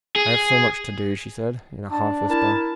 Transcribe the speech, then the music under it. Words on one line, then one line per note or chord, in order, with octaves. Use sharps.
"I have so much to do," she said, in a half-whisper.
G#4
D4 A5
E4 A#4 A5